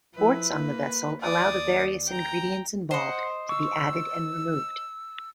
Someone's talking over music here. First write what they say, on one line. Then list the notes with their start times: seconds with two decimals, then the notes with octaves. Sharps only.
Ports on the vessel allow the various ingredients involved to be added and removed.
0.15 F3 E4 B4
0.55 A#3
1.21 D#2 D5 D#6
2.07 G5 A#5
2.91 C5 D#5 F#5
3.49 C#6 E6